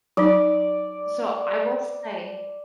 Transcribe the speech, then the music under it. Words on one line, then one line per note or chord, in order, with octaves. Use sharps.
So, I will say
F#3 D#4 D5